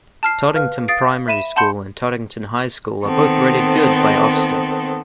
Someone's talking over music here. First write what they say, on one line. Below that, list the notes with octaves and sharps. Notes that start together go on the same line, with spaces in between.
Tottington Primary School and Tottington High School are both rated good by Ofsted.
A5 F6 C7
B4 F5 F6
F5 D#6 A6 C7 D7
E5 B5 D#7 E7
F#5 A5 B5 C6 G6 C#7
D#3 B3 C4 A4